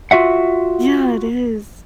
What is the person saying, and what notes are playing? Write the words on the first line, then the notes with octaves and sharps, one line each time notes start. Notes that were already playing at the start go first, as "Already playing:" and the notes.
Yeah, it is.
F4 F#4 E5 F#5